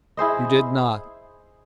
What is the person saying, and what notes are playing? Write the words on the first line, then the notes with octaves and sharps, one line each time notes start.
You did not!
E4 G#4 C5 D#5